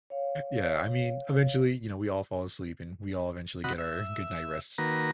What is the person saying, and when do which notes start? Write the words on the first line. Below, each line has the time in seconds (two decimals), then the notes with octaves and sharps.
yeah. I mean, eventually, you know, we all fall asleep, and we all eventually get our good night rest.
0.10 C#5 F5
3.64 C3 F#4 D#5 F#5 B5
3.78 E5
4.78 D#3 A#3 F#4 B4 A#5